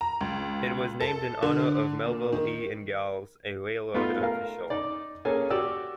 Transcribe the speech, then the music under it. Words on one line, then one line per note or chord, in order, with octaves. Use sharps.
It was named in honor of Melville E. Ingalls, a railroad official.
A#5
C#2
A4
D3
A#2
D#3
A3 B3 D#4 F4
A3 A#4 F5
D#4 D5
A#3 C#4 G#4 A4 G#5
F#4 G4 D5 E6